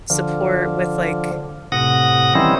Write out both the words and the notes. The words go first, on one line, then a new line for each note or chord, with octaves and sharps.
support with, like
D3 F3
A2 C3 F#5 D#6 A#6
D#3 E3 G3 C4 C#4 E4